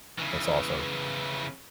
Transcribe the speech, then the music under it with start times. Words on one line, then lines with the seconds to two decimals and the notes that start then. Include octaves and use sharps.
that's awesome.
0.18 C#3 E3